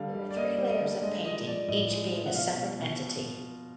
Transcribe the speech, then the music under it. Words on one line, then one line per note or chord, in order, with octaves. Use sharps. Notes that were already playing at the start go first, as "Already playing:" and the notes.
There are three layers of painting, each being a separate entity.
Already playing: D3 G3 F5
G3
D5
A#3 D#5
G3
D#5
D3
G#3 D#5
F3 D#5
F3 D5
A2 D#5
G#3
F3
F#5
B2 F5
B2
B2